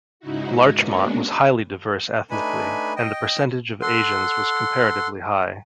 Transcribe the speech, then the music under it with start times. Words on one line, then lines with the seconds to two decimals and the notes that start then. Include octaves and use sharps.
Larchmont was highly diverse ethnically, and the percentage of Asians was comparatively high.
0.20 G#2 C#3 D#4 E4 F#4
0.75 G#3 A#3 B3 C#4 D4 F#4
2.31 A3 D4 D#4 B4 G#5 B5
2.96 D#5 G5
3.82 A4 F#5 C6